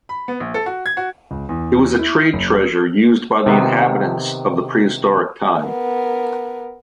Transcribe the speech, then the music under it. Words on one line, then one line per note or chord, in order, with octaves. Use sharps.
It was a trade treasure used by the inhabitants of the prehistoric time.
B5
B3
A#1
A4
F#4
G#6
F#4
C#2
E2
E4
F#1
C3 D#3 B3
B3 A#4